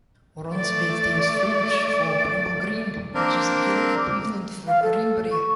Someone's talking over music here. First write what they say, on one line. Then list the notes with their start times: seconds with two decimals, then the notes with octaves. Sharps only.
"Ronceverte" is French for "Bramble Green", which is the Gallic equivalent for "Greenbrier".
0.51 A3 D5
3.15 A#3 C4 D4 A#4
4.68 F5
4.83 A4
5.31 C#6